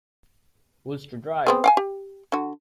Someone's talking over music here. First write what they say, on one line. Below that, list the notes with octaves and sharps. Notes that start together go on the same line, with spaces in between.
Who’s to drive?
B3 C4 G#4
F5 G5 G#5
G4
D3 F#4